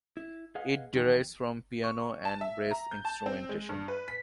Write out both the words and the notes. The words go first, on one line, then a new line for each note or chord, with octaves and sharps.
It derives from piano and brass instrumentation.
E4
G#4 B4 D#5 F5 F#5
E2 D#3 F#3 B3 D#4 G5
C#6
A5
E5
A#5
G6
A5
C4
G#3
G2
B4
B6